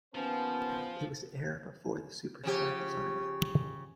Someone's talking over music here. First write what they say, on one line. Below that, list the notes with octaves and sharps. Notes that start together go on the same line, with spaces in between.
It was the era before the superstar designer.
D#2 F3 B3 C#4 C5 A5
C#3 F3 G4